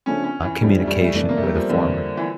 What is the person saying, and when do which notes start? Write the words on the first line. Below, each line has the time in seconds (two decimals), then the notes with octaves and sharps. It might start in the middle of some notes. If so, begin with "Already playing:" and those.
communication with a former?
0.06 C#3 F3 A3 C#4 D4
0.24 C#4
0.42 E3
0.61 C#3 F3 G3 A3 D4
0.82 A3
0.87 G3
1.01 A3
1.15 F2 E3 A3 D4
1.29 A#3
1.37 A3
1.43 G3
1.56 F3
1.69 F2 D3 E3 A3
2.17 E3